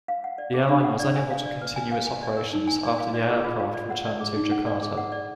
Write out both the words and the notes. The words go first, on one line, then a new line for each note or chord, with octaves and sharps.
The airline was unable to continue its operations after the aircraft returned to Jakarta.
F5
F#5
D5
G#4
D4
F#5
D5
G#5
F5
D5
B4
G#5
F5
G#5
D5
A#4
D#4
G#5
D5
F5
D5
G#4
F4
F5
D5
F#5
D5
G#4
D#4
F#5
D5
G#4
F#5
D5